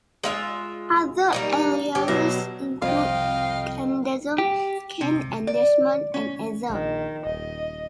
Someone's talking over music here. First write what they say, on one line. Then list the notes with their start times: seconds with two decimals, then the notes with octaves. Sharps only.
Other aliases include Kendesm, Ken and Desmond, and Ether.
0.24 G#3 F4 E5
1.33 G3 A#3 D#4
1.95 G1 G4 C#5
2.08 B2 F#3 E5 A#6
2.82 C2 F2 D#5 F5 G5
4.38 G4
5.01 C3
5.47 D5
6.14 C#4
6.70 A#1 D#3
7.25 D#1 D#5